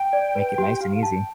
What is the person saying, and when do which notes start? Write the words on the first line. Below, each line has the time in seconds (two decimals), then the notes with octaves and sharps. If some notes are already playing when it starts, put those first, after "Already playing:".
make it nice and easy."
Already playing: G5
0.13 D5
0.35 B4
0.58 G4
0.81 G4 F5
0.95 F5
1.03 G5 A5